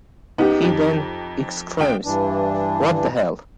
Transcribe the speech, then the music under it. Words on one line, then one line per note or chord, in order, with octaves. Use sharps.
He then exclaims: What the hell?!
C#2 B3 D#4 G4
F2
C#2 G5 D7
G2 E3 D4